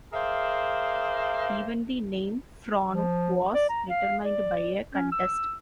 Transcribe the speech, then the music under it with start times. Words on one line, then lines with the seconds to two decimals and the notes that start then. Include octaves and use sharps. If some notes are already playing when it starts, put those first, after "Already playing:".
Even the name "Frohnau" was determined by a contest.
0.13 G#4 A#4 C5 D5 E5 F5
2.90 F3
3.54 D5
3.69 A#5
3.89 F5
4.24 D5
4.94 C#4
5.12 E6